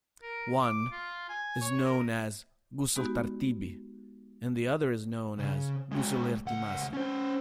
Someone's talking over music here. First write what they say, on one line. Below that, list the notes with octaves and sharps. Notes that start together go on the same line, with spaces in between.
One is known as ghusl tartibi, and the other is known as ghusl irtimasi.
A#4
D6
F4
G#5
C#5
A#4
G#3 B3 D#4 F#4 G4
C#3
G#3 F#4
C#2 F#5
C#4 C5